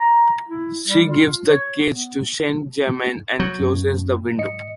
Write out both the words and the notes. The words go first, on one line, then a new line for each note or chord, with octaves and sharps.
She gives the cage to Saint-Germain and closes the window.
A#5
E4
G3
F4
C#5
B3
F#3 G6
F#2
G#2 D#5 C#7